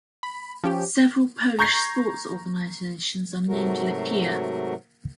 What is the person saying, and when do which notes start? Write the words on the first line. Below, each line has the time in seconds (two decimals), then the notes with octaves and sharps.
Several Polish sports organizations are named Lechia.
0.23 B5
0.64 F3 C#4 G4
1.59 A#5 C#6 G6 G#6 A#6 C7
3.48 G#2 C3 F#3 A3 F#4 A#4